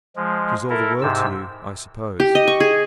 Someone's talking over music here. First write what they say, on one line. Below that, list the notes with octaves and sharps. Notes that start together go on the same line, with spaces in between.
"She's all the world to you, I suppose?"
F3 G#3
E4 A4 A#4
G#2 C3 E6
G4
D#5
C#6
G#4